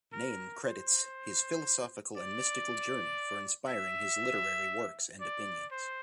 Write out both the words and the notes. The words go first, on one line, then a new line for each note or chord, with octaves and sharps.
Naim credits his philosophical and mystical journey for inspiring his literary works and opinions.
A#4
C5
D5
E5
D5
C5